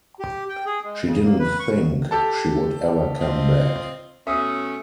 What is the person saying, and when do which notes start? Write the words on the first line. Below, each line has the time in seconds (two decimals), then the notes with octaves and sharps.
She didn't think she would ever come back.
0.20 G4
0.49 G5
0.66 G#4
0.84 G#3
1.06 C#3
1.24 A#3
1.39 B4
1.60 C#6
2.11 G4 A4 A5
3.18 C4 F4 D#5
4.27 B2 A3 C#4 E5 D#6